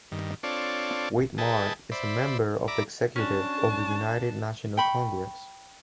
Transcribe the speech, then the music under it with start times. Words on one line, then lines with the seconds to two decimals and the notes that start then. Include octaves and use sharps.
Wade Mark is a member of the executive of the United National Congress.
0.12 G2 D#3
0.43 C4 D4 F4 A4 C#5 D5
1.38 G#4 A4 B4 D#5 G5 A5
1.92 C5 D5 E5 B5
2.68 D5 E5 A#5 B5 D6
3.16 C#4 D4 F#4 A5
4.77 G5 B5 C#6